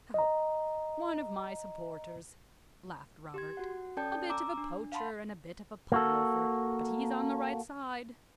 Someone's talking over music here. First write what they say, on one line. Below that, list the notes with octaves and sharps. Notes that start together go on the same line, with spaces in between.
"Oh, one of my supporters," laughed Robert; "a bit of a poacher and a bit of a pub-loafer, but he's on the right side."
D#5 A#5
G4 C6 G#6
F#4 F#5
C#4 A4 D5 G5 A5 G6
A#5 D6 E6
D4
F5 F#5 A5 B5 C6
A#3 F#4 A4